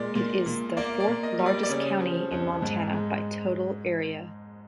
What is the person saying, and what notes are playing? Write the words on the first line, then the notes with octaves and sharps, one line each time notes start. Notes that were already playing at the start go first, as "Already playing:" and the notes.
It is the fourth-largest county in Montana by total area.
Already playing: A#2 G#3 D5
A#2
A#2
A#3 D5
D5
A#2
D#5
G3
D5
D5
C#3 C#5
F3
F2
G#2
G#3